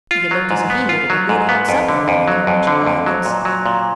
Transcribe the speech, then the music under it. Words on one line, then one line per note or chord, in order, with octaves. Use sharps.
He looked as if he needed a good hot supper more than a bunch of violets.
F4
F#3
G#2
B3
F4
F#3
G#2
B3
F2
D3
F2
F#3
F2
D3
F2
F#3
A#2
F#3
A#2